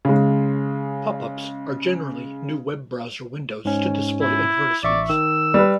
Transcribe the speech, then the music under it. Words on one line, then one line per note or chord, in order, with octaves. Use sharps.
Pop-ups are generally new web browser windows to display advertisements.
C#3 G#3
G#2 C#4
E4
A1 D5 E5 C#6
D#3 E6
G3 B4